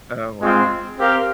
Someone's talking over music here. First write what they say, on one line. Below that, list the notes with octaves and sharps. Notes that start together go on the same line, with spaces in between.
Oh, wow.
G#3 C4 F4
C4 G4 A#4 F5